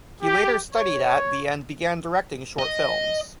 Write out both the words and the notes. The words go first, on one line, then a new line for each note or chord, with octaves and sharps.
He later studied at the and began directing short films.
G4
C#5
D#5